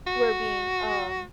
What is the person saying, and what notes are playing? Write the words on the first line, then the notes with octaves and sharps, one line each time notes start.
we're being, um,
F#4